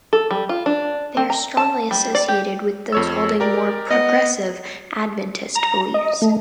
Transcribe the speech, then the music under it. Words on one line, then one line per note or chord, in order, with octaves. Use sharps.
They are strongly associated with those holding more "progressive" Adventist beliefs.
A4
G3
F4
D4
C4
A#5
A5
G3
D5
G4
F2 C#5 E6
G4 A#4 D5
B3 D#5 F#5
A#5
D#5
A3